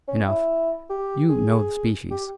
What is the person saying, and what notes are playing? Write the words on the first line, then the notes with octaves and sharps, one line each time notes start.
Enough, you know the species.
C#4
E4
G4
G#4
G4